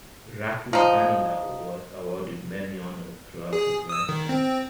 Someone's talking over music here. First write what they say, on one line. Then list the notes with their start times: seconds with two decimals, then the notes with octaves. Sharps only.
Ratu Ganilau was awarded many honours throughout his lifetime.
0.73 F3 D#4
3.53 G#4
3.89 D#6 E6
4.09 D#3
4.29 C4